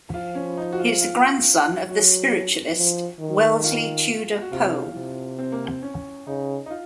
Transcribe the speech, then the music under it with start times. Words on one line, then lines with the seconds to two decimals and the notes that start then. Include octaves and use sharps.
He is the grandson of the spiritualist, Wellesley Tudor Pole.
0.14 F3 F4
0.35 C#4
0.57 D#4
0.72 F#4
0.79 F4
1.01 F4
1.89 F#3 F#4
2.77 F3
3.20 D#3
3.64 F4
4.42 F#4
4.51 C3 F4
4.95 C3
5.39 C4
5.52 A#3
5.65 C4
5.82 C#4
6.27 C#3 D#4
6.66 D#4
6.70 F4